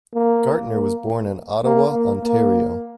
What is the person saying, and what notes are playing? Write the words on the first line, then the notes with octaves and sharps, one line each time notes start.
Gartner was born in Ottawa, Ontario.
A#3
A#3
A#3
A#3
A#3